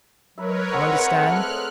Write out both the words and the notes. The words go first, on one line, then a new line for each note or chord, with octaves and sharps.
You understand?
F#3 G#3 A#4 B4 C#5 E5 B5
G#3 C4 D#5 F#5
G#3 A3 A4 F6 F#6